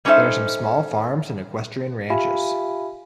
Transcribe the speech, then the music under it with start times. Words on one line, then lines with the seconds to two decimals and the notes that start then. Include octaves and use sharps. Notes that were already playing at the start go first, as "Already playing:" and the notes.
There are some small farms and equestrian ranches.
0.05 G3 C#4 D#4 A4 C5 E5
2.10 F4 G4 E5 F5 G#5 B5